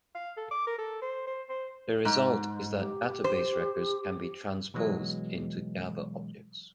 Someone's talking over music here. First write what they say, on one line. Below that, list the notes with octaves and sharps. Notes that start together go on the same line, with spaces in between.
The result is that database records can be transposed into Java objects.
F5
A4
D6
A#4
A4
C5
C5
C5
G#2
G4
C5
B2 E3 F#3 G#3